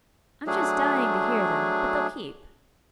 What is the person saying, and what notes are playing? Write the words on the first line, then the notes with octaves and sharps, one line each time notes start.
I'm just dying to hear them, but they'll keep.
F#3 A3 D4 G#4